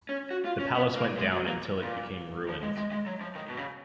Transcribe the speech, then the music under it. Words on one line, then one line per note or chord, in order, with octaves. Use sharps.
The palace went down until it became ruins.
C#4
F#4
F4
C#4
B3
A#3
G#3
F#3
A#3
A#2
F3
G#3
G#3
G#3
F#3
F3
D#3
B2
C#3